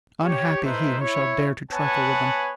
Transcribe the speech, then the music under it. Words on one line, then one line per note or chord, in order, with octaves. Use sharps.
Unhappy he who shall dare to trifle with them!
G4 C#5
A3 D#4 E4 B4 C5
E4 C#5
B3 B4 C#5 F#5 G#5 A5